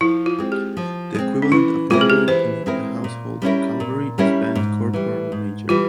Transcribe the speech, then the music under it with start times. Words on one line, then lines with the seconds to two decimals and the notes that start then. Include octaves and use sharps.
The equivalent appointment in the Household Cavalry is band corporal major.
0.01 F3 E4
0.26 F4
0.38 G#3 C4
0.52 G4
0.77 F3
1.15 G#3 C4
1.42 C#4
1.52 E3 E4
1.90 G#3 C4 E4 F4 A#4
2.01 G#4
2.10 G4
2.28 E3 C5
2.66 G#3 C4 E4 A#4
3.04 A#2
3.42 G3 C#4 E4 A#4
3.80 A#2
4.18 G3 C#4 E4 A#4
4.55 G#2
4.93 E3 G3
5.32 G#2
5.69 E3 G3 F4